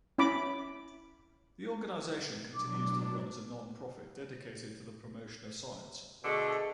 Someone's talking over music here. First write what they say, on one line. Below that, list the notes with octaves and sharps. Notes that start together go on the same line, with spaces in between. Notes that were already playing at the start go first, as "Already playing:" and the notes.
The organization continues to run as a non-profit dedicated to the promotion of science.
C#4 E4 B5 D6
B2 F#3 D4 D6
B2 D3 A3 G#4 D#5 A5